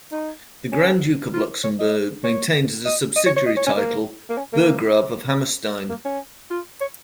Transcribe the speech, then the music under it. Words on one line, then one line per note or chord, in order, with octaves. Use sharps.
The Grand Duke of Luxembourg maintains as a subsidiary title "Burgrave of Hammerstein".
D#4
C#4
F4
C#5
D#5
C#5
D#5
D#5
C#5
C#5
D#5
C#5
C#4
A#3
A#3
C#4
A#3
A#3
C#4
F4
C#5